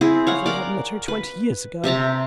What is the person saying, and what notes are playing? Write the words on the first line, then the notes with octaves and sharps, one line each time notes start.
If I had met her twenty years ago!
C4 E4 G#4
C#5 F5 F#5
A#4 D5
B4
C3 E5 A5 A#5